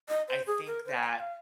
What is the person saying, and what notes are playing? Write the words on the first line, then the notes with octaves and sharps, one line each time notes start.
I think that,
D#5
C5
G#4
A#4
C5
G5
G#5
F5